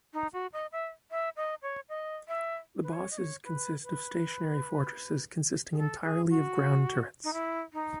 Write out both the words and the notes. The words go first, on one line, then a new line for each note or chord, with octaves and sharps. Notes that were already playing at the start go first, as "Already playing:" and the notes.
The bosses consist of stationary fortresses consisting entirely of ground turrets.
D#4
F#4
D#5
E5
E5
D#5
C#5
D#5
E5
B4
C#5
D#5
C#5
B4
B4
G#4
A4
G#4
F#4
D#4
E4
D#4